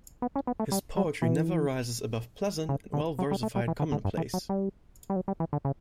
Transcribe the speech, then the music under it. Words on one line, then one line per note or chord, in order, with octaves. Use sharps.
His poetry never rises above pleasant and well-versified commonplace.
B3
C#4
B3
A3
G3
F#3
E3
C#3
D3
F#3
G3
A3
G3
E3
D3
D3
G2
E3
F#3
G3
G3
F#3
G3
E3
D3
C#3